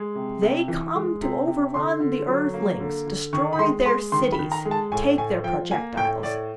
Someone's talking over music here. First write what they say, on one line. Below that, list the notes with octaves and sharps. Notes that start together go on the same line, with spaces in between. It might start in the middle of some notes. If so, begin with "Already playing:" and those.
They come to overrun the Earthlings, destroy their cities, take their projectiles.
Already playing: G#3
C3
C3
E3
G#3
C3
C3
D3 C6
D3
F#3
A#3
D3
D3
D#3 C#6
B5
G#3 C6
G#3 C6
D#3 C6
B5
D#3
A#5
G#3
A5
A2 G#5
A2 G#5
F3 G5
A#3 G#5
A2 G5
A2 D5